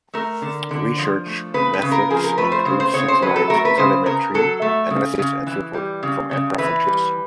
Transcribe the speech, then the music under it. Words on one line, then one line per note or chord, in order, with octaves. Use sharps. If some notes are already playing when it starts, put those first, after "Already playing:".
Research methods include satellite telemetry analysis and fieldwork from aircraft and ships.
A3 A#4
D3
D3
F3
A3
C#3 B4
B4
C#3
A#4
F3 G#4
A#4
A3 B4
C5
C#3 C5
C5
C#3 C#5
C5
F#3 B4
A4
A3 A#4
B4
C#3 C5
C#3 A#4
F#3 A4
A3
C#3
C#3
E3
G3
C#3
C#3
E3 B4
G3